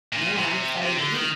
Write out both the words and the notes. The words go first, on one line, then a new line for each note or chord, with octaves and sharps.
man, I'm excited to eat.
A#2
C3
C3
D3
D#3